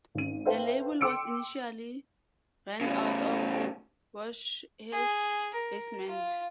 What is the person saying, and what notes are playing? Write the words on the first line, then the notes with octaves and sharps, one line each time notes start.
The label was initially run out of Warshaw's basement.
G#1 C#4 D#7
A4 B4 C5 E5 F5 G5
G5 C6 D6 E6 C#7 D7
A2 C#3
G#4
A#4
F4